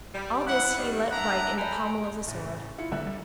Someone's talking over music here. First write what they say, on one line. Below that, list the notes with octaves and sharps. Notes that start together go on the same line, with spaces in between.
All this he let write in the pommel of the sword.
G3
E4 F#5
D#3 G3
D4 E4 E5 F#5 A#5
A4 G5 G#5 A#5 B5
A2 C#3
E4 F4 C#7
D2 D3 G3 A#3 E5 F#6
G3